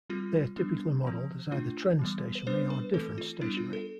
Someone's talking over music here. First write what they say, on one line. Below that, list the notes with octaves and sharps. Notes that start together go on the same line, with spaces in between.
They are typically modelled as either trend stationary or difference stationary.
G3 C4 F4
G3 B3 D4
F3 C4
D3 A3 D4 F4
E3 G3 B3
B4
G3 B3 D4 C5
B4
E3 A3 C4 A4
F4
G3 B3 D4 E4
F4
A4